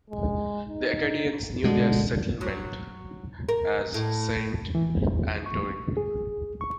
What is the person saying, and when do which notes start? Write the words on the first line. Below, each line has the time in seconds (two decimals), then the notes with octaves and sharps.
The Acadians knew their settlement as Saint Antoine.
0.10 G#3
0.68 D#4
1.64 B2 D3 G#3
2.41 F#3
3.49 A#4
3.94 A2
4.75 E3
5.03 E2
5.46 C#6
5.97 G#4
6.61 C#6